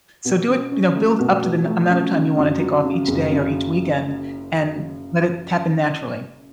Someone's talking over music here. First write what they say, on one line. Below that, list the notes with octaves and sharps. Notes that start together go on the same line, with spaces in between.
So do it, you know, build up to the n amount of time you wanna take off each day or each weekend, and let it happen naturally.
B2
C#4
C#4
A3
B2
B2
A3
C#4
C#3
F#2
F#3
C#3
F#1
C#3